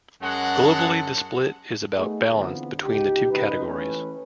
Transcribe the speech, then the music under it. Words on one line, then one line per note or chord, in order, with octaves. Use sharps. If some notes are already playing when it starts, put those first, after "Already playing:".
Globally the split is about balanced between the two categories.
F#2 G#3 F#4 F#5 A5
A3 B3 D#4 G#4
D3 E3 B3 C4 F4
C#2 D#4 G4
C#3 G#3 D#4 G4 B4
E3 A3 C#4 B4